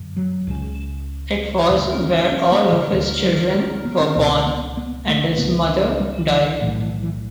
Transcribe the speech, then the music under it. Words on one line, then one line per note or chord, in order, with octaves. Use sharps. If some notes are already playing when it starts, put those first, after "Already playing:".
It was where all of his children were born and his mother died.
Already playing: G1 F#2 D3
F#3
C#2 C#3
D2 C#3 G3
C#4
C#4
B3
D3
D2 D3 E3
F#3
G3
B3
C#4
C#2 B2 B3
B3
B3
A3
C#2 C#3 B3
D4
G3
E3
B1 A2 E3
E3
E3